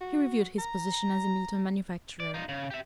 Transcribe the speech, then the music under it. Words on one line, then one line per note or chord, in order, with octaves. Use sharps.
He reviewed his position as a Milton manufacturer.
F#4
A#5
D5
D#4 F4
C#3
G4 E5